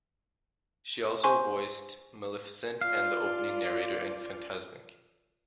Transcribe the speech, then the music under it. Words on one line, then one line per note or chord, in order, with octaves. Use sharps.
She also voiced Maleficent and the Opening narrator in 'Fantasmic'.
C5 G#5 C6 C#6
F4 D5 F5